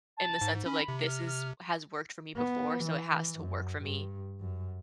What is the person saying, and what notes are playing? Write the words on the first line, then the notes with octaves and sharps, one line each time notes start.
in the sense of, like, this is has worked for me before, so it has to work for me
A5
G#2
C#4 B5
C3
F6
F6
B3
E3
F#2
G2
F#2